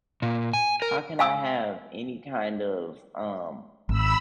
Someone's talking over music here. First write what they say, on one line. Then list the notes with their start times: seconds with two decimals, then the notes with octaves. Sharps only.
how can I have any kind of, um,
0.22 A#2
0.53 G#5
0.82 A#4
1.19 F5 G#5 E6
3.89 G#1 B5 E6